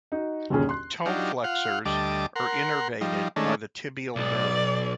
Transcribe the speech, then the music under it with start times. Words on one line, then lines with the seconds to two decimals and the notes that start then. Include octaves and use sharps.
Toe flexors are innervated by the tibial nerve.
0.12 D#4 F#4
0.50 G1 D#2 A#2 C#4 G#4
0.69 C6 F#6
1.06 F#3 D4 D#4 F4 G4
1.44 F4 F5 F#5
1.85 D2 G3 D#5 A5 D6
2.36 A#4 F#5 C6
3.01 F3 G3 D#4
3.36 D#3 G#3 A3 C#4 D4
4.16 B1 D5